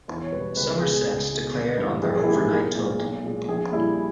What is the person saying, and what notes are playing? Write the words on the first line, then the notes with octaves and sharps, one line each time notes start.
Somerset declared on their overnight total.
E2
C#5
B2 G3 B4
C#2 B4
B2 G#3 G#4
C#2
G#3
B2
G1
G2 E3
A#1 G#4
G#4
E4
G#2 E3 G#3 G4
G#4
B1 A#4
A#2 G#3
B1
A#2 G#3
A#1 G#4
A#2 G3 E4